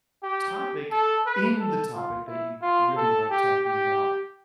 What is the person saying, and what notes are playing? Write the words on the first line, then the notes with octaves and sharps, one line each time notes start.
topic in the topic that you r really like talking about
G4
A4
B4
A4
F4
E4
F4
A4
G4
G4